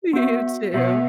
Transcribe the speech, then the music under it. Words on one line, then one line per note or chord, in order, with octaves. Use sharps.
You too.
B3 F#4 E5
B2 B3 F#4 E5